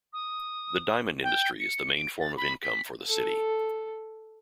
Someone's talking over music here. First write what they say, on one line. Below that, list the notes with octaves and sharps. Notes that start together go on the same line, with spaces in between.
The diamond industry is the main form of income for the city.
D#6
G5
C#7
D7
A6
B5
B6
A4